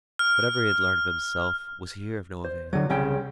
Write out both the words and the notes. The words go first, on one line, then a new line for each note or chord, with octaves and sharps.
Whatever he had learned of himself was here of no avail.
F6
C5
D3 F#3
C2 C#3 C#4 G5